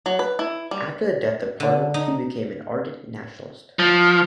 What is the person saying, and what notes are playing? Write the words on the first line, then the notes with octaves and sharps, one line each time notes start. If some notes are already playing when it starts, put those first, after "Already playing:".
After the death of Parnell she became an ardent nationalist.
F#3
B4
E4
G3
D3
D#4
F3